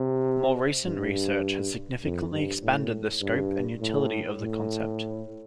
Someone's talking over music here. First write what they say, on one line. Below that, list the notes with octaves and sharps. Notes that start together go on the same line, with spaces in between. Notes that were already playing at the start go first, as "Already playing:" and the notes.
More recent research has significantly expanded the scope and utility of the concept.
Already playing: C3
G2
F2
G2
A2
G2
A2
A2